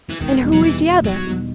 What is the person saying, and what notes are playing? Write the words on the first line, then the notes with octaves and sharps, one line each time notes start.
"And who is the other?"
E3
E1 D#3
E2 B2 G3 D#4
F#3
E1 E3
E2 B2 G3 D#4
E1 F#3
E2 B2 G3 D#4